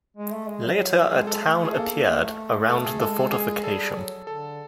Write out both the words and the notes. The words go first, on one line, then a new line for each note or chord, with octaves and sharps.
Later a town appeared around the fortification.
G#3
A3
G#3
F#3
G#3 G#4
A4
A3
G#4
A#3 A4
A#3
A#3
A3
A4
G#4
G#3 A4
G#4
G3 A4
F#3
D3 A4